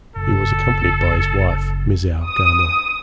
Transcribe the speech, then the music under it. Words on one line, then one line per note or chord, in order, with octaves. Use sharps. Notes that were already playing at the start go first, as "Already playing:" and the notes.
He was accompanied by his wife, Misao Gamo.
F#1 A4
D#6